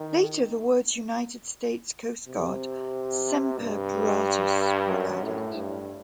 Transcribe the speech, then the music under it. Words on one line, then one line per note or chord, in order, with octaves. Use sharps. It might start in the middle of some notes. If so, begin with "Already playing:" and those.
Later, the words, "United States Coast Guard-- Semper Paratus" were added.
Already playing: D#3
C3
G2
F#2
A2
G2